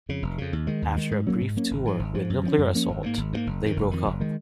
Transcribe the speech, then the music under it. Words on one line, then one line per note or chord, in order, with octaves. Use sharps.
After a brief tour with Nuclear Assault, they broke up.
F2 C#3
F1
F2 C#3
D#2
D#3 G#3
D#2
D#3 G#3
G#2
F#3 A#3 C#4
G#2
F#3 A#3 C#4
G#1
G#2 F3
G#1
G#2 F3
F#2
F3 A#3 C#4
F#2
F3 A#3 C#4
G#1
G#2 F3 A#3
G#1
G#2 F3 A#3
F#1
F2 D#3
F#1
F2 D#3
F#1
D#3 G#3